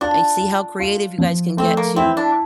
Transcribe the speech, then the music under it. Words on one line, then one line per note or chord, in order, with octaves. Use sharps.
and see how creative you guys can get to,
D4 F4
F4
F4
F3
A3 C4
A#3
C4 E4
D4